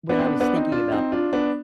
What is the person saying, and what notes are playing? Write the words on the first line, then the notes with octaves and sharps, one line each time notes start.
when I was thinking about
B3 D4
C4
B3 D4
B3 D4
C4 D#4
D4 F4
C4 D#4
D4 F4
B3 D4